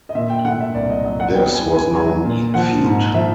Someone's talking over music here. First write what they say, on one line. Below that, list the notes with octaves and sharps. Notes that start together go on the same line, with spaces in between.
This was no mean feat.
D#5
A#2 E5
G5
A3 F#5
E5
C2 D5
D#5
F#3 D#5
F#5
B3 G5
G#5
B3
G#5
F#3 G#5
A#2
F3 F#5
G#2
F3 E5